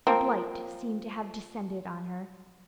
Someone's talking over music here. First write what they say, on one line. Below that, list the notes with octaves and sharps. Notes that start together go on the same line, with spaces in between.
A blight seemed to have descended on her.
F3 A#3 C4